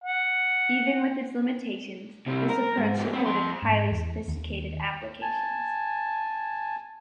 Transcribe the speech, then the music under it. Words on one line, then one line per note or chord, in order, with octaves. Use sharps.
Even with its limitations, this approach supported highly sophisticated applications.
F#5
C3 G3
A#4
G#2
G2 C4
C4 B4
F2 C6
G#2
E2
D#2
G#5 A5